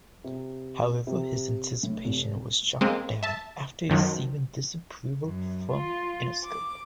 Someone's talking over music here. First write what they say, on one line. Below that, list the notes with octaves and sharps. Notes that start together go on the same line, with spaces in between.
However, his anticipation was shot down after receiving disapproval from Interscope.
C3
C3
A2
F1
G#3 A#3 C4
E5 A5
F#2 D#3 F3 F#3
F#2
F4
D6